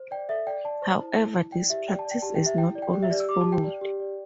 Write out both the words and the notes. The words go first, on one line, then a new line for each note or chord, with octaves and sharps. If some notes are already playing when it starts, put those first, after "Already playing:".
However, this practice is not always followed.
Already playing: C5
D5 G5
A4 E5
D5 G5
D5 A5
C5
E4
E4
E4
D5 G5
G4 E5
D5 G5
A5
D5
G5
G4 A5
G5
G4
E5
E4 G5
D5
G5
G4 G5
E5
G4 D5
E6
G4 D6
A5
G4
G5
D5
G4
D5